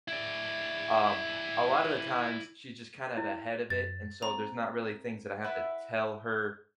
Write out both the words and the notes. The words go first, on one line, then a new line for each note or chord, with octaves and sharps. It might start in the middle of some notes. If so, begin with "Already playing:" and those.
um, a lotta the times she's just kind of ahead of it and so there's not really things that I have to tell her,
E4 D5
E4
F#2 A6
C4 A#5
E4 B4 E5 F#5